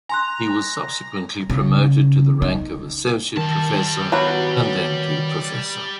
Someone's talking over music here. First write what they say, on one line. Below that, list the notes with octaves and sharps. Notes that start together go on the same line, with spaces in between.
He was subsequently promoted to the rank of Associate professor and then to Professor.
G#5 A#5 C6 F#6
C#3
D#4
D#3 G3 A5
F#3 B3 F#4